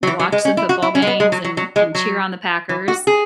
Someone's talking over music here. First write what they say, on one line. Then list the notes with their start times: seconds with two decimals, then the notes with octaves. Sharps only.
watch some football games and and cheer on the Packers,
0.03 F#3
0.07 E3
0.20 F#3
0.32 G#3
0.45 C#4
0.57 E4
0.69 F#4
0.82 E4
0.95 C#4
1.02 G#3
1.07 B3
1.20 G#3
1.32 F#3
1.44 F#3
1.57 F#3
1.76 G#3
1.95 F#3
2.69 E3
2.88 F#4
3.07 G#4